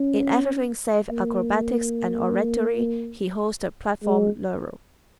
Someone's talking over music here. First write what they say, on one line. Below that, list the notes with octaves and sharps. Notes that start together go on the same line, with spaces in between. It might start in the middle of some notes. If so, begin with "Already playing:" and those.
In everything save acrobatics and oratory he holds the platform laurels.
Already playing: C#4
A#3
G#3